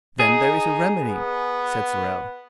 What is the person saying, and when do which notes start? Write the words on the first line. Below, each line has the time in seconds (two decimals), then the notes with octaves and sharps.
"Then there is a remedy," said Sorel.
0.20 D#4 G#4
1.03 B3